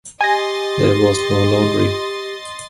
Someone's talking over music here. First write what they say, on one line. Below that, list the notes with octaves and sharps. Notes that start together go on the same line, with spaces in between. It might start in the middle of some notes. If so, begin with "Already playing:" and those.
There was no laundry.
G4 D#5 G#5 C6 A6 A#6